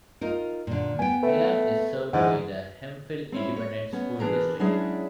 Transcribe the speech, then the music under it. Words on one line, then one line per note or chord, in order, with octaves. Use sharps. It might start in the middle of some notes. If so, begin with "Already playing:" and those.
Milam is served by the Hemphill Independent School District.
D#4 F4 A#4
A#2 D3
B3 G5 G#5
A3 B4
G#2 D3 E3 F#5
C4 C#4 E4
C#5
B3 C#4
E3 D4 G#4 A#4 B4
F#3 G#3 C#4 D4 E4 G#4